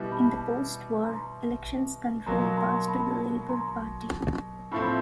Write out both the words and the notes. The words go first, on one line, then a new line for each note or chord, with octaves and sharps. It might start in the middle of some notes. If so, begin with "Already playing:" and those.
In post-war elections control passed to the Labour Party.
Already playing: B2 G3 B3 E4 G4
A5 B5
A#5 C6
B2 F#3 A#3 A#5 C6
A#5 C6
A5 B5
A#5 C6
A2 F3 A3 C4 B5 C#6